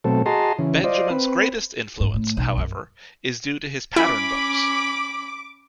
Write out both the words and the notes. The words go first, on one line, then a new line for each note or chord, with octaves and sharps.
Benjamin's greatest influence, however, is due to his pattern books.
B2 F#3 A3 C4 A4
F#4 G#4 D#5 A5 A#5 C6
C#3 E3
F4 C5 D5 D#5
C4 B4
G#2
A2
B1
F#2
C#4 E4 B5 D6